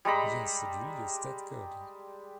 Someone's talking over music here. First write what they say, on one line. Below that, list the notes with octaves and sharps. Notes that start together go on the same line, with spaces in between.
Yes, it really is that good.
G3 G#3 A#5 B5